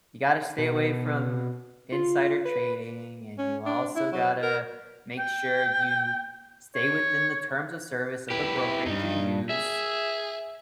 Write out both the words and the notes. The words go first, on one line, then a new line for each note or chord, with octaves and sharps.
you gotta stay away from insider trading, and you also gotta make sure you stay within the terms of service of the brokerage you use,
B2
F4
B4
C#4
D4
E4
F#3
A#4
G5
C#5
E4 G4 B4
E2 G2 D#4
G#4 E5